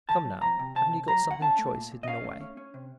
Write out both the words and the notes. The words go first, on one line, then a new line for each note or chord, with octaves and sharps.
Come, now, haven't you got something choice hidden away?'
D#3 A5
F#3
F2 A#5
C3
C3 A5
C3
F#3 A#5
D#3
F#5
C#4 A5
A3
A#2
A#2
D#5
C#4 F5
A3
C#4
C#4
C3